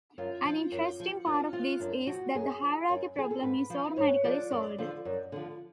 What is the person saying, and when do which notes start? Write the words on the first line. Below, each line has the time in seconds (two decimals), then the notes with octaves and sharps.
An interesting part of this is that the hierarchy problem is automatically solved.
0.18 F#2 F4
0.45 F3
0.72 F#2
1.00 F3
1.26 F#2 F4
1.53 F3 F4
1.80 F#2 D4
2.07 F3 F#4
2.35 F#2 G#4
2.62 F3
2.89 F#2
3.15 F3 G#4
3.31 A4
3.43 G#2 B4
3.70 F3
3.97 G#2 C#5
4.24 F3 D5
4.51 F#2 D5
4.78 D3 F3
5.05 F#2
5.32 D3 F3